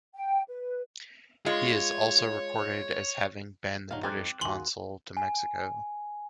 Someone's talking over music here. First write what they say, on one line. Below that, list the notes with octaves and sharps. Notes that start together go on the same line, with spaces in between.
He is also recorded as having been the British consul to Mexico.
G5
B4
G#3 F4 C#5
G2 A#2 D#3 F#3 D#4 F5
F2 C4 D#4 G#5 D6 F#6 A6
D#2 F#4 G#4 C6 F#7
G#5